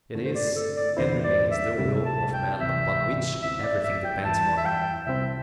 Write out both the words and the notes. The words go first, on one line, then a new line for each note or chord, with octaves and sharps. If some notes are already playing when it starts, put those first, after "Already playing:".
It is and remains the will of man upon which everything depends for him.
G2 D3 A3 C4 E4
C5
D5
A4
D5
E2 D3 C4 E4 C5
D5
E5
D2 C3 G3 C4 E4
A5
G5
D2 C3 E3 C4 E4 E5
D2 D3 C4 E4 E5
D5
E5
G5
E2 E3 G3 E4 A5
E5
G5
C2 C3 G3 C4 E4 E5